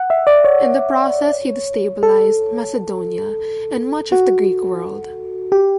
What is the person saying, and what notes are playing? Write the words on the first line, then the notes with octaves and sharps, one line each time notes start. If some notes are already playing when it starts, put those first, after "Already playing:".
In the process he destabilized Macedonia and much of the Greek world.
Already playing: F#5
E5
D5
C#5
A4
F#4
G4